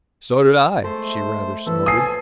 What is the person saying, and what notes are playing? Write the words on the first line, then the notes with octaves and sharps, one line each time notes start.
"So did I!" She rather snorted.
G#3 A3 A4 C5
E3 F3 C#4 A4 B4
G#5 A5 D#6 C7